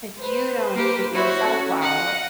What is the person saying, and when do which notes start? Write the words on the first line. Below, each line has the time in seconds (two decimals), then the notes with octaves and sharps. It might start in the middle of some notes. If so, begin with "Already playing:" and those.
if you don't treat yourself well,
0.20 B4 C5
0.74 A#3 G4
1.14 E4 F#4 C5 C#5
1.46 C#4 A4 F#5
1.82 D#5 F5 F#5